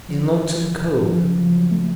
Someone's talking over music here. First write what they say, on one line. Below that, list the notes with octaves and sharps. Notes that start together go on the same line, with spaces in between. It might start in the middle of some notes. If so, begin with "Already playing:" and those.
"In Lonesome Cove."
F3
F3
C#3
F3
F#3
A3